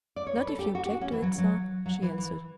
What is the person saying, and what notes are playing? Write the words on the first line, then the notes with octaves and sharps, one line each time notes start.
"Not if you object to it, sir," she answered.
D5
C#5
B4
A4
G4
F#4
G4
F#4
C#4
E3
F#3
F#3
F#3
E3
E3